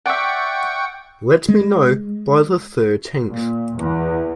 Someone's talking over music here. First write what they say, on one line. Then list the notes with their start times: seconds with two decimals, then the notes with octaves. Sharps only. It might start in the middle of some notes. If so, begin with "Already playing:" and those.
Let me know by the thirteenth.
0.06 D5 E5 F#5 G5 C#6
1.48 G#3
3.30 A#2
3.78 E2